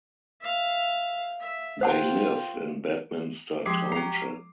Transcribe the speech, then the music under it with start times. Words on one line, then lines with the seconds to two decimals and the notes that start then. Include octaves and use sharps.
They live in Bedminster Township.
0.41 E5 F5
1.40 E5
1.81 F4 C5 F#5 G5 A5
3.66 F3 G#3 G4 G#4 C6 D6 C7
3.92 F#3 A#5 C7